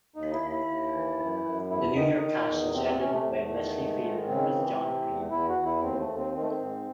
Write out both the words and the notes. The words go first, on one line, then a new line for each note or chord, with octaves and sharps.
The New York cast was headed by Leslie Faber as John Rhead.
D#2 D#4
E4
D#2
E4
D#2
E3
F#2
F#2
E2 E4
D#3 D#4
D#3 D#4
E2
C3 C4
C4
C3 C#4
A3
E2
D#3
G#2
D#3
C#3 C4
E3
C3
E2
E2 E4
F#4
E2
E4
D#2 C4
A3
D#2
C4
D#3 C4
A3
C4
G#2